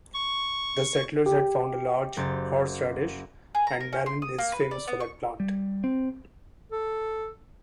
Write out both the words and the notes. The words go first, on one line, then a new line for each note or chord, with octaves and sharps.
The settlers had found a large horseradish, and Malin is famous for that plant.
C#6
G4
F#1 C5 A6
G#4
A#5
A#4
C#4
C6
D#6
A#3
B4
D5
B3
C#6
G3
C4
A4